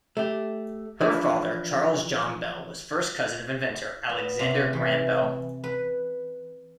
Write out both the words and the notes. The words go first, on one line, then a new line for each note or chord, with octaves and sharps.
Her father Charles John Bell was first cousin of inventor Alexander Graham Bell.
A3 G4
E3 F3 D4 E4
B3
C3
E3
B4